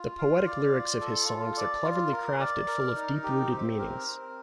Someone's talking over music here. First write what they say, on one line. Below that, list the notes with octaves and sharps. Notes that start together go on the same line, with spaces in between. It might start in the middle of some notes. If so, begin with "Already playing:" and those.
The poetic lyrics of his songs are cleverly crafted full of deep-rooted meanings.
Already playing: F4
F5
D5
F4
A4
F4
D5
F4
A#4
D5
A#4
D#4
G4
C4
A#4
C4